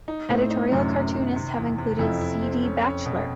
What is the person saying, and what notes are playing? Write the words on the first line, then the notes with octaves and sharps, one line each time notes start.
Editorial cartoonists have included C. D. Batchelor.
D#4
A2 C4
D#4
F#2 C3
C3
D#3
C3
E2
C3
F2 E4
E4
C4
C#4
C#4
B2